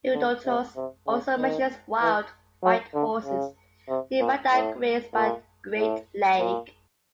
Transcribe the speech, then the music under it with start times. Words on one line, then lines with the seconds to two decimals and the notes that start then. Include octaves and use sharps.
Herodotus also mentions wild white horses nearby that grazed by a great lake.
0.14 D3
0.45 C3
0.76 C3
1.07 C#3
1.38 D#3
2.01 E3
2.63 F#3
2.94 D3
3.25 C#3
3.88 C3
4.19 A#2
4.51 A2
5.13 A#2
5.76 A2
6.38 A#2